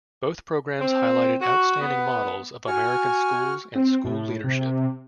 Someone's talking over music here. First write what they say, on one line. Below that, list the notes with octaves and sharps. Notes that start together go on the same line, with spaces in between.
Both programs highlighted outstanding models of American schools and school leadership.
C4
F#4
B3
F#4 G#5 C#6 F6
C4
A2
C3